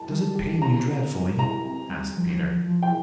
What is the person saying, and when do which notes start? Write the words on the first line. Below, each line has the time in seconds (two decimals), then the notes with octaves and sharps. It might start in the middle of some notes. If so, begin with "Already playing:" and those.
"Does it pain you dreadfully?" asked Peter.
Already playing: A5
0.10 G3
0.35 G4
0.61 C4 A#5
0.87 C4
1.12 G3
1.38 G4 A#5
1.65 C4
1.90 G3
2.15 F3
2.41 F3
2.67 F3
2.83 G5